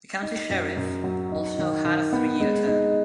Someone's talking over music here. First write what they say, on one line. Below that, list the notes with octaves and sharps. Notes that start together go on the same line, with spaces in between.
The county sheriff also had a three-year term.
D#4
F#2
F#2
F#3
D#4
D#3
D#3
B3
G#3
D#4